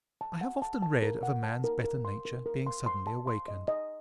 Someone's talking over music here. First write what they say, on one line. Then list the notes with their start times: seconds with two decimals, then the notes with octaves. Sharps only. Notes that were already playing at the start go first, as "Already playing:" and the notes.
I have often read of a man's better nature being suddenly awakened.
0.21 A5
0.41 F#5
0.62 A5
0.82 A5
1.02 A#4
1.23 F#5
1.43 A5
1.64 A#4
1.84 A#4
2.05 C6
2.25 A#4
2.46 A#4
2.67 C6
2.86 C6
3.07 A5
3.27 C6
3.48 D#5
3.68 D#5